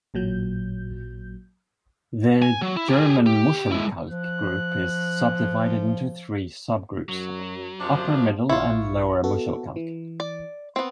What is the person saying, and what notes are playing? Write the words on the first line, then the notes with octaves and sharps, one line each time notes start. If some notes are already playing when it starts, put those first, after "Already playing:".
The German Muschelkalk Group is subdivided into three subgroups: Upper, Middle and Lower Muschelkalk.
A1 A#2 F#3 G6
G#5
F#3
E4
G4 G#4
G4
G#3 E4
F3 F#6
F#2 F#3
F#2 C3 F3 D4
A#1 E4 F4 C#6
B3 F#4 A4
E3
D5
B3 C4